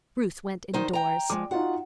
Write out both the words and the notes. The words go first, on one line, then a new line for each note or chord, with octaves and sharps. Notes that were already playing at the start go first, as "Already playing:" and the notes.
Ruth went indoors.
D#3 D#4 C5
G5 A#5
F3 G#3 D6
D#4 F4 F#4 F#5